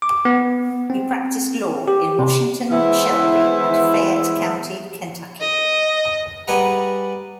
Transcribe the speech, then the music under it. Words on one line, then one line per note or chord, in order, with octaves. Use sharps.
He practiced law in Washington, Shelby, and Fayette County, Kentucky.
D6
B3
C4
G4
C3
E3 G#3 B3 E4 C5 E5
D#5
G3 G#4 B4 D#5 F#5 A#5